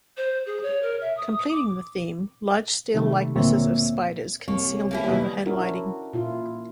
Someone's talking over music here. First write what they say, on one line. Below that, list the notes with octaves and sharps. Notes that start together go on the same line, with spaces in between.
Completing the theme, large steel likenesses of spiders conceal the overhead lighting.
C5
G#4
C#5
A#4
E5
D#6
D6
C3 D#3 G3 A3
D2 A#2 A#3 C4 C#5 E5
C2 A#3 C#5
A#3 C#4 E4
D#2 B2 G3
C#4 D4 E4 F#4 A#4
A#2 E4 F4